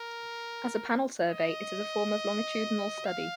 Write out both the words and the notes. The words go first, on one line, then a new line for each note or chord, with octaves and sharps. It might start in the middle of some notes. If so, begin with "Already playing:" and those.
As a panel survey it is a form of longitudinal study.
Already playing: A#4
D#5
F5